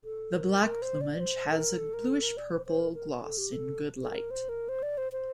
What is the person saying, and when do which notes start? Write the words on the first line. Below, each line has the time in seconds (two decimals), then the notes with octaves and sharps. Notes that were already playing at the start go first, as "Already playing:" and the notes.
The black plumage has a bluish-purple gloss in good light.
0.04 A4
0.34 A#4
0.63 A#4
0.82 C5
1.01 D5
1.20 C5
1.50 A#4
1.78 A4
1.94 A#4
2.08 A4
2.22 A#4
2.37 D5
2.51 C5
2.66 C5
2.80 A#4
2.94 A#4
3.24 A4
3.38 G4
3.52 A4
4.03 A4
4.11 A#4
4.31 C5
4.49 A#4
4.69 C5
4.83 D5
4.98 C5
5.12 C5